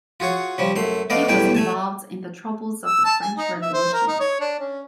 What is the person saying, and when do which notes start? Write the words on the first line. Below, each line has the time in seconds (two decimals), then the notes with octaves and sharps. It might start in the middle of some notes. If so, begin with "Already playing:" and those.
He was involved in the troubles of the French Revolution.
0.20 F4 F#4 G#4 C#5
0.58 F3 G3 C#4
0.76 F#2 A3 C6
1.10 A3 B3 D5 D#5 F5
1.29 B1 E2 G3 A3 G5 G#5
1.55 A3 G#5 A5
2.85 E6
3.05 A5
3.22 G#5
3.37 D#4
3.62 E5
3.73 C5
3.93 A#4
4.08 D#4
4.20 C#5
4.40 D4
4.60 C#4